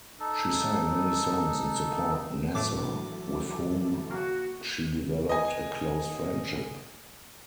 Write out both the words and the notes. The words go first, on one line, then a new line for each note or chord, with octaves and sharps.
She sang many songs in support Nasser, with whom she developed a close friendship.
D#4 A4
A2 E3 F#3 A3 D4 A4 D6
C#3 A#3 F#4
D#5 G#5